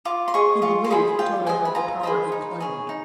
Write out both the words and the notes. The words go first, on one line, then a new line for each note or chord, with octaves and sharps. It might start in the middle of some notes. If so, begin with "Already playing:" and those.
He believed Tode had the power he claimed.
F4 D6
C6
G#4 C5 D#5 C#6
F4 C#6
C6
G#4 C5 D#5 B5
F4 G5
G#4 C5 D#5 G#5
B5
F4 A#5
G#4 C5 D#5 B5
D#4
G#4 C#5
D#4